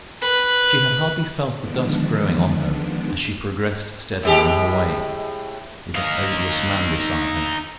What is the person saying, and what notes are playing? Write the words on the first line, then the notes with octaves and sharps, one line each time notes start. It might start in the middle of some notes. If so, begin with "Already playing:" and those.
She had hardly felt the dusk growing on her as she progressed steadily on her way, with that odious man beside her.
B4
D3 D#3 F3 G#3 B3 D4
A2 G#3 G4
D#4 F5